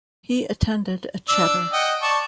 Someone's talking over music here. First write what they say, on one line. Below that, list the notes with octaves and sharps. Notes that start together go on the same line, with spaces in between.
He attended a cheder.
D4 D5 E6
D#5 F#5 G5
D5 A5 C#6